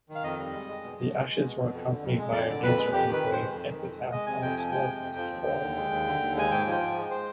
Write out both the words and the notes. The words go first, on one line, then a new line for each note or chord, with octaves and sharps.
The ashes were accompanied by a laser-engraved epitaph on a small piece of foil.
D#3
F5
F2 D#5
G3
G#3
G#3
B2
B2
G#3
G#3
B2
B2
F2
D3
F2
G#3
F2 D5
D3
F2 B4
G#3
F2 G4
D#3 B4
F2
G#3 C5
F2
D#3
F2
G#3
G#3 D#5
C3 G#5
F2 G5
F3 G#5
G#3 G5
C3
F2
F3
D#2
D3
D#2
G#3
D#2
D3
D#2
G#3 G#5
G#2 G5
F3
G5
G#2
G#3
C5